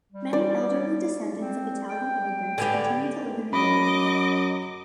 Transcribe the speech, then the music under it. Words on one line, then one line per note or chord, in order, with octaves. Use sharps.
Many elderly descendants of Italian immigrants continue to live in the neighborhood.
G3
D5
C4
G5
D3 B3 G4 G#5
D5
F#2 D#5 B5 D6